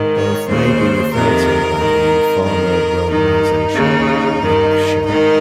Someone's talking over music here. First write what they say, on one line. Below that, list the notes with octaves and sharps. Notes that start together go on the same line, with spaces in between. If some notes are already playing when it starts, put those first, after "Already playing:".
Both may also be referred to by the former romanization Lung-shan.
Already playing: G#2 D#3
C#5
D#2 C#3 C5
F2 C3 D#3 A#4
G#2 D#3
F2 D#3 A#4
G2 D#3 D#4
D#2 C#3
G2 D#3
G#2 D#3 D#4